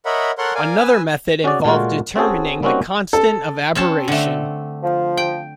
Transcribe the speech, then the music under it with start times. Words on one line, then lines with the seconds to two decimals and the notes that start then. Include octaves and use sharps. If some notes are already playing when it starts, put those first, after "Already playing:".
Another method involved determining the constant of aberration.
0.06 A#4 C#5 D#5 E5 F#5 B5
0.38 A4 A#4 C#5 F#5 C6 F#6
0.55 A#4 D5 F5 G#5
0.77 B4 G#5 E6
1.44 C#4 F#4 G#4 D5
1.65 A#2 G#3 A3 F4 F#4
2.16 C4 C#4 F#4 G#4 A4
2.63 G3 A#3 C4 C#4 D#4 F#4
3.13 A4
3.75 C4 C#4 A5
4.08 D3 A3
4.83 F3
5.17 G5